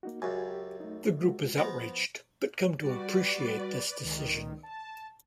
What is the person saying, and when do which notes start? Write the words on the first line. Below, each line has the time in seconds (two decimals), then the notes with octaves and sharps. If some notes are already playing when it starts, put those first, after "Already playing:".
The group is outraged, but come to appreciate this decision.
0.03 A#3 D#4 F#4
0.22 C#2 F#2 F#4 G4 G#5
0.48 G4
0.80 A3 D#4
1.21 G#3 F4 F#4
1.58 F3 B3 A#5
2.82 G3 F#4 B4 D5
4.03 C#2 D#3
4.63 A5